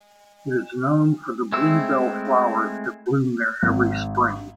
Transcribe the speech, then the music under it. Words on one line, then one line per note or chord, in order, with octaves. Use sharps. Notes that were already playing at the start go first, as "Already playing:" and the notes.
It is known for the bluebell flowers that bloom there every spring.
G#3 A3 C4 E4 E6
G#1